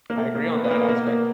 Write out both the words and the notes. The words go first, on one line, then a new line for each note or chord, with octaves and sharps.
I agree on that aspect.
A#3
B2 A3
A#3
A3 B3
B3
A#3
B2 A#3
A#3